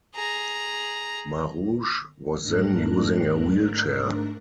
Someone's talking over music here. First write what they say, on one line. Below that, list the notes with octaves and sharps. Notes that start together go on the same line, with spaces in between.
Maruge was then using a wheelchair.
G#4 A#5
G#2 A3 D4 A#4 A#5 F#6